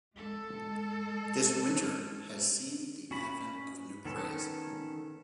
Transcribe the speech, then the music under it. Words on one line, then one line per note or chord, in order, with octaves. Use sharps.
This winter has seen the advent of a new craze.
G#3 A4
C#4 F#4 B5
D#3 B3 C#4 A4